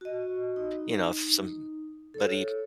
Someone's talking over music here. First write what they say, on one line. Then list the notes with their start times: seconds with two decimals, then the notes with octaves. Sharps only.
you know, if somebody
0.01 F#4 D#5
0.56 D#4
2.14 A4 C#5